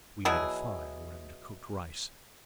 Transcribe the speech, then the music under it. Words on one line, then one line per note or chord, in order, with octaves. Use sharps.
We made a fire and cooked rice.
B2 F#3 E4 G#4